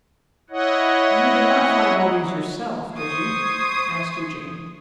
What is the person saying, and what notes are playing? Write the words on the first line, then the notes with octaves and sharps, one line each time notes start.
'You did not find all these yourself; did you?' asked Eugene.
E4 C#5 D#5 F#5
C5 C6 C#6 D#6 G#6